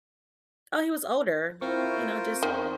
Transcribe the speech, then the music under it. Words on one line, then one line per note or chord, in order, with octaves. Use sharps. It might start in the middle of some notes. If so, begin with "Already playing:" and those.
oh, he was older, you know; just
C4 E4 F4 A#4 C5 C#6
E2 D#3 C5